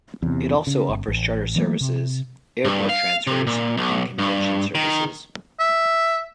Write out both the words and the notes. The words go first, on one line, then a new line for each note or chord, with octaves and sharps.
It also offers charter services, airport transfers, and convention services.
E2 C3
C#3
G1
A1
E3 F#3 A3 A#3
C3
G2
F5
C3
A#2
B1
G2
D#3
E5